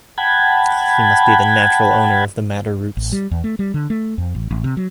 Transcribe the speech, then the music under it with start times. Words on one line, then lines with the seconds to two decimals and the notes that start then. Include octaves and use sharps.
He must be the natural owner of the madder roots.
0.18 F#5 G5 A5 B5 G#6
2.97 A1
3.12 G3
3.31 E2
3.44 A3
3.59 G3
3.74 D3
3.90 A3
4.18 F2
4.35 A1
4.51 A1
4.64 C3
4.77 F#3